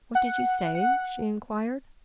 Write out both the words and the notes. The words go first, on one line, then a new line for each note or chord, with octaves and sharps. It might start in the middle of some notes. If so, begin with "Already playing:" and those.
"What did you say?" she inquired.
F#5
F#5